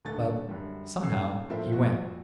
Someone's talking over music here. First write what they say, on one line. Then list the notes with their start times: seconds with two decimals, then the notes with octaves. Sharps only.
But, somehow, he went.
0.05 D#1 D3 A3 A6
0.49 F#2 D3 G3
1.02 D#1 C#4 E6 C7
1.49 A2 F3 A#3 C4 A4 E5
1.72 F2 A#2 F#4